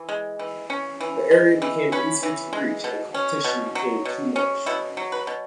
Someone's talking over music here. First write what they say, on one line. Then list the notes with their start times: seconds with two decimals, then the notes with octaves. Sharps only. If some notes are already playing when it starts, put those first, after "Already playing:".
The area became easier to reach and competition became too much.
Already playing: E3
0.09 G#3
0.39 E3
0.70 C#4
1.01 E3
1.31 G#3
1.62 E3
1.92 C#4 B4
2.23 E3
2.53 G#3
2.84 B2
3.14 C#4
3.44 B2
3.75 F#3
4.05 B2
4.36 C#4
4.66 B2 E4
4.97 F#3
5.12 B4
5.27 B2